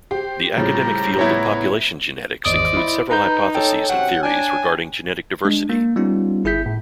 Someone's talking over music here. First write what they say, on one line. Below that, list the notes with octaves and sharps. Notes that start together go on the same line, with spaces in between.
The academic field of population genetics includes several hypotheses and theories regarding genetic diversity.
G4 C5
A2 C#3 F3 G3 A3 A#5
B3 E4 C#5
G#1 E2 C5 D5 D#5 D#6
E4
D#4 B4 A#5 G6
A4 C#5 G5
C3 F#3 C#4 F#5
D4 G#5
G#3 D4
A#3
G3 B3 C#4 D#4 F4
G1 E4 G#4 E5 G6 B6
A2